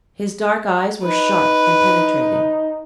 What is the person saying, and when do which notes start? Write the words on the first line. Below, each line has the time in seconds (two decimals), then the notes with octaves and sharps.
His dark eyes were sharp and penetrating.
1.04 D#4 B4